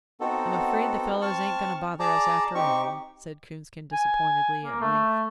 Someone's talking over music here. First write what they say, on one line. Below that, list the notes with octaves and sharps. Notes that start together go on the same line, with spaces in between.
"I'm afraid the fellows ain't going to bother us after all," said Coonskin disappointedly, at length.
B3 C4 D#4 F#4 A4
C4 A5 C#6 F6
G#4 D5 A5 A#5
C4 D#4 G4 C#6
G#5
A#3
A3